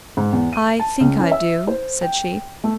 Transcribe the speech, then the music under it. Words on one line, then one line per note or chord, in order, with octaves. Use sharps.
"I think I do," said she.
G#2
E2
D#7
A5
C#2
C#4
E5
C5
G5
A3